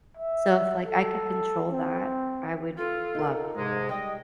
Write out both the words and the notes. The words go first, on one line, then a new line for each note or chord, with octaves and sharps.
So, if like I could control that, I would love to.
E5
A4
C4
F4 A4
D#4 A#4
G#2 C3 G#3
G3 D#5 G5